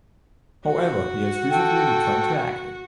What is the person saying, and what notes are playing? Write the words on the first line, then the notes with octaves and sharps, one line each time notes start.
However, he has recently returned to acting.
F#4
A4 G5